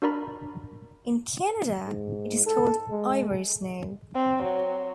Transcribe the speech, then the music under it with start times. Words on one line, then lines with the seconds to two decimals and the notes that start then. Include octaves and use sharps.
In Canada, it is called Ivory Snow.
0.02 D4 F#4 A#4 D5 A#5 B5
1.86 G#2
2.46 A4
2.90 G#3
4.15 C4
4.43 F#3